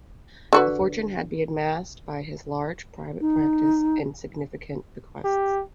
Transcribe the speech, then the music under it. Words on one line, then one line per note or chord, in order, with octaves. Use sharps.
The fortune had been amassed by his large private practice and significant bequests.
D3 F#4 B4
D#4
G4